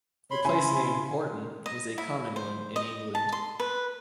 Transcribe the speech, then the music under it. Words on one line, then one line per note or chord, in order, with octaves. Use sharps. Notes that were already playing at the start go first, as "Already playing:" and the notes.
The place-name "Horton" is a common one in England.
C#5 B5 C6
C#3 E4 G#5 C6
D#5
E4
C5
D#5
A5
C6
B4